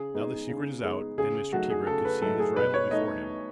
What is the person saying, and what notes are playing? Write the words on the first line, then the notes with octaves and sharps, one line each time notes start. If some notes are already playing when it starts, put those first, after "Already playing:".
Now the secret was out and Mr. Tebrick could see his rival before him.
Already playing: C#3 G#4
G#3 B3 D#4
C#3
G#3 B3 D#4
C#3 G#4
F#3 A3 D#4 F#4
G#4
C#3 A4
B4
F#3 A3 D#4 A4
G#4
B2 B4
C#5
A3 D#4 D#5